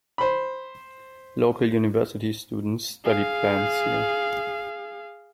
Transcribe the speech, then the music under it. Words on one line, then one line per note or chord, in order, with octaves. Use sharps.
Local university students study plants here.
C5 B5
G#4 F5